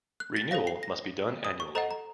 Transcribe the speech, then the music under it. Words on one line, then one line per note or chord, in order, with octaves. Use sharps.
Renewal must be done annually.
F#6
A6
A4 C5 F5 A#6
C7
A#6
D#6
C#6
A4 C5 D#5 F#5 A#5
A#5